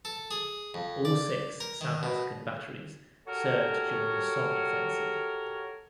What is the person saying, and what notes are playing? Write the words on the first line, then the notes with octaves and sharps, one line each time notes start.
All six South African batteries served during the Somme offensive.
A4
G#4
F2
D5
A#4
D#3
B2
F#4 G4 A4 A#4 C#5